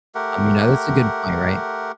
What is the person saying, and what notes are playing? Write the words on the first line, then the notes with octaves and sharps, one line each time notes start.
um, you know, that's a good point, right?
A3 G4 A#4 F#5